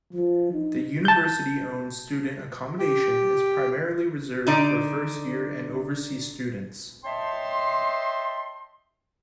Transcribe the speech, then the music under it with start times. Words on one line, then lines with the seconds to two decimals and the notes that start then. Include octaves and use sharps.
The university-owned student accommodation is primarily reserved for first year and overseas students.
0.13 F3
0.53 D#4
1.05 A5 G6
2.79 G4
4.47 D3 D#4 D5
7.04 C#5 D#5 E5 G5 A5 C6